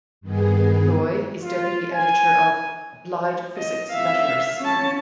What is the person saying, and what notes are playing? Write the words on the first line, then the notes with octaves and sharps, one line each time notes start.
Loi is Deputy Editor of "Applied Physics Letters".
G2 D#3 B3 G#4
F4
G#5
D#5
E5 F5
C#4 A5